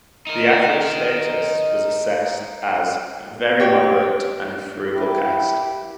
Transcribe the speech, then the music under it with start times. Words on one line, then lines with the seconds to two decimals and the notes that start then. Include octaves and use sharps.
The average status was assessed as "very moderate and frugal cast".
0.27 D#4 A#4
3.60 G4 C#5
4.93 E4 G4